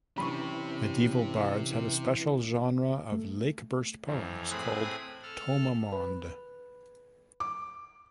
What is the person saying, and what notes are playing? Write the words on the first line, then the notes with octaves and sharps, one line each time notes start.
Medieval bards had a special genre of lake-burst poems called "tomamond".
C3 E3 C#4 D4 G4 B5 C#6
A3
F2 E3
A2 C4 G#4 B5 D#6 F#6
A4 F6
B4
D6